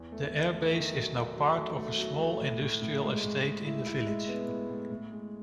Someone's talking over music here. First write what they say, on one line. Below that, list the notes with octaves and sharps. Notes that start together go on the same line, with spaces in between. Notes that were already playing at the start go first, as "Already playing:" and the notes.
The airbase is now part of a small industrial estate in the village.
Already playing: E2
A3
A3
A3
D#3
F#3
F#3
F#3
A3
A3
F#3
A3
A2
A2
A2
G#3
A2
G#3
E4
E4
G#3
B3
A2
A2
A2
G#3